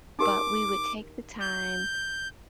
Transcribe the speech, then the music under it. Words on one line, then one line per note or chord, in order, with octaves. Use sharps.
but we would take the time
D#4 G4 A#4 D6
G6